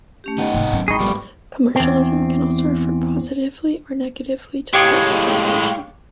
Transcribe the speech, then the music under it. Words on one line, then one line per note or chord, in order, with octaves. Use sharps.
Commercialism can also refer, positively or negatively, to corporate domination.
A3 C#4 G4
D#3 B3 D#4 D#5 F#5 G5
G#2 C3
F#3 C#4
G#1 D#4 G#4 G5 B5 C#6
F3 G3 A3 B3
E2 C4
A2 G#3 G4 C#5 F5 G5 C#6 D#6